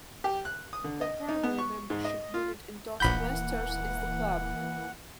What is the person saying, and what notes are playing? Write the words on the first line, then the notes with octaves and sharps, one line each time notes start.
The primary membership unit in Toastmasters is the club.
G4
F#6
D#6
D3
D#5
D#4
B3
C#6
G#2
D#5
F4
D#1 A#1 E3 A#3 F#5 B5 G6